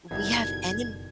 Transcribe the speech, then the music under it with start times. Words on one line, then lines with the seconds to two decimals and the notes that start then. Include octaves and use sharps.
we have enem
0.11 F#1 B2 D#3 F#3 G3 E4 A4 G#6